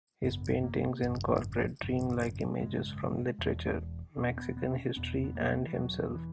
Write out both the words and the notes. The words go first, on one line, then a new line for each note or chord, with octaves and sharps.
His paintings incorporate dreamlike images from literature, Mexican history, and himself.
G#1 F#2 C#3 B3
A#3
G#1 F#2 C#3
G#1 F#2 C#3
G#1 F#2 C#3 G#3
E1 E2 B2
E1 E2 B2 C#4
B3
B3
C#4
E1 E2 B2 B3
B3
A#3
E3
E1 E2 B2 F#3
E3